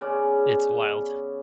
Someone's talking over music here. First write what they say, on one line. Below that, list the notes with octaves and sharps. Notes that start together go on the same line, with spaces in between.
It's wild.
C#3 B3 C#4 D5